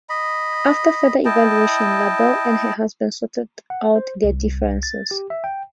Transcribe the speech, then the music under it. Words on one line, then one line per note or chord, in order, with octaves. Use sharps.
After further evaluation, LaBelle and her husband sorted out their differences.
D#5 B5
E4 D#5 G5 A5
F#5
C5
C2
A6
G4
E5
G5